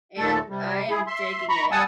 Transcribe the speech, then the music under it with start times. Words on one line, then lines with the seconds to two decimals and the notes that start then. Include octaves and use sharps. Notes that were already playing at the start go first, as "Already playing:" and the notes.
and I am digging it;
0.18 D#2 A#2 A3 A4
0.49 C3 G3
0.90 E4 G#4
1.07 E5 C6
1.49 A#5 B5 C#6
1.72 G3 F#5 G#5 A5 D#6 E6